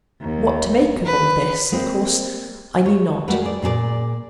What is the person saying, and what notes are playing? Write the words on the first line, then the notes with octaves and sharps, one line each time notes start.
What to make of all this, of course I knew not.
D#2
B4
G#3 A#3 C4
C#5
G3 A3 F4 F#4 A#4 B4
G#4 D5
A#2 G#4 A4 D5